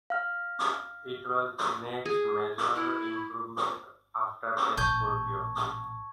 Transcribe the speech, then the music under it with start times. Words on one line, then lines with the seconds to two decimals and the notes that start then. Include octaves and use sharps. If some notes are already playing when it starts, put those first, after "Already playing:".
It was the next major improvement after the scorpio.
0.10 F5 F6
2.05 G#4
2.75 E4
4.77 A1 A#2 A5 C#6 G6 G#6